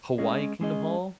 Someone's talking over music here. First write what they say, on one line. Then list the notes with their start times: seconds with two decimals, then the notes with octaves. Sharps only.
Hawaii Kingdom Hall?
0.18 G#3 C#4 G#4 D#5
0.61 G#3 C#4 G#4 D#5